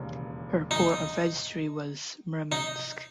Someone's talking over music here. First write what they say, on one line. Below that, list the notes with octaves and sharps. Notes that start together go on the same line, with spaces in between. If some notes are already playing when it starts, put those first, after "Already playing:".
Her port of registry was Murmansk.
Already playing: E1 D#2 C#3 E3
D#4
D#4